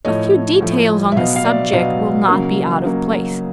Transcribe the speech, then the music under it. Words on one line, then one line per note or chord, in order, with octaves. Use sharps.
A few details on this subject will not be out of place.
A2 F3 A3 C#5 D#5
A2 F3 A3
E5
B2 F#3 B3 D#5 F5
F5
D5 E5
B2 F#3 B3 D#5 F5
C#3 F#3 A#3
C#3 F#3 A#3